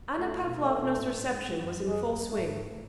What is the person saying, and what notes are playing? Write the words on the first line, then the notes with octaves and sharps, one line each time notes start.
Anna Pavlovna's reception was in full swing.
A2 A3
B2
A3
B2
G#2
A2
G#2
G#2
F#2
F2
F#2 G#3
G#2 A3
A2